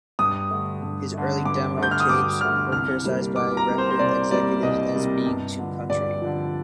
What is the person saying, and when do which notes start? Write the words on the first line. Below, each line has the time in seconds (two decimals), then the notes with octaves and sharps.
His early demo tapes were criticized by record executives as being too country.
0.19 G2 D#6
0.51 D3 A3
0.82 G2
1.14 D3 A3
1.45 G2 D6
1.78 D3 A3 G6
1.91 F6
2.00 D#6
2.09 G2 D6
2.41 D3 A3 F6
2.72 C2 F6
3.04 C3 G3 A#3
3.36 C2 D6
3.57 A#5
3.68 C3 G3 A#3
3.78 C5
3.91 C5
3.99 C2 D5
4.31 C3 G3 A#3 D5
4.63 C2 D#5
4.94 C3 G3 A#3
5.27 G2
5.58 D3 F3
5.90 G2 D5
6.22 D3 F3